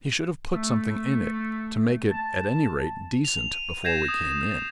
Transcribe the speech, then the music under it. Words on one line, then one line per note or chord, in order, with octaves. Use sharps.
"He should have put something in it to make it at any rate decent before we came in."
A3
A5
F7
D#7
G6 G#6 A#6 C7 E7
D#6